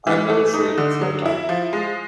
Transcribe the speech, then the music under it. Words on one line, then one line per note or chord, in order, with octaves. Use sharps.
I am not afraid of her dying.
E3
A3
D#4
D3
F#3
E4
F3
G#3